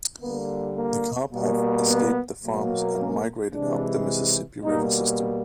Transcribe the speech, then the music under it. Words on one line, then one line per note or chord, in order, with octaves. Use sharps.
The carp have escaped the farms and migrated up the Mississippi River system.
D3 G3 A#3 B3
A#3
B2 G3 A#3
B3
B2 F#3 A#3
C#4
C3 E3 G#3 D4
B2 G3 A#3 D#4